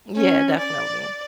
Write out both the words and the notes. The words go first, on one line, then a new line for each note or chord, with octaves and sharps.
Yeah, definitely.
C#4
D5